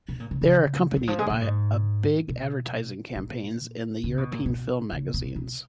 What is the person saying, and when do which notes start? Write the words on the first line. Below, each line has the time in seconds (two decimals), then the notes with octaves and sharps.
They are accompanied by big advertising campaigns in European film magazines.
0.09 B2
0.20 A#2
0.31 C#3
0.41 C#3
0.96 D#3
1.08 F3
1.19 G#3
1.30 A#2
1.41 G#2
2.28 B2
3.16 A#2
4.04 C#3
4.18 B2
4.31 A#2
4.46 B2
4.92 C#3
5.14 B2
5.36 B2